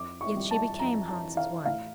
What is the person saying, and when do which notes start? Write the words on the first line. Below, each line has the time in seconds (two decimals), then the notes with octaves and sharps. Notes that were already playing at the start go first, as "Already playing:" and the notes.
Yet she became Hans' wife.
Already playing: F2 D6
0.21 C#6
0.36 G3
0.51 A5
0.79 F2 A#5
1.08 A5
1.23 E3
1.37 F5
1.66 A2 F5